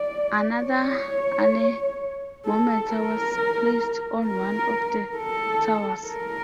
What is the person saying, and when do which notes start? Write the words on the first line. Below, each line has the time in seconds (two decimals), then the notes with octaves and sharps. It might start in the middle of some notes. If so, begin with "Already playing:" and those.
Another anemometer was placed on one of the towers.
Already playing: D5
0.64 C#5
2.45 A4
2.91 A#4
4.26 A#4
5.17 A4
6.07 A#4